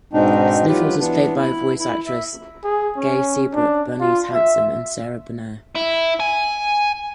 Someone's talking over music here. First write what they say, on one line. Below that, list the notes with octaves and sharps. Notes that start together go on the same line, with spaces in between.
Sniffles was played by voice actresses Gay Seabrook, Bernice Hansen, and Sara Berner.
G#2 B2 G#3 C4 D4 D#4
F#3 F4 G4 B4
E3 B3 D4
E4
E4
E5
G#4
C#4
D4
F4
E5
E4
G#5